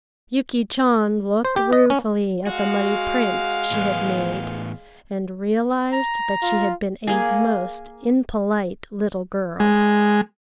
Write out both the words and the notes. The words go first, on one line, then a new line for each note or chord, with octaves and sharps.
Yuki Chan looked ruefully at the muddy prints she had made and realized that she had been a most impolite little girl.
C5
G4
D#5
C#4
G#3 F#4 F5
A2 E3 B3
A#5
F4
A#3 G#4
G#3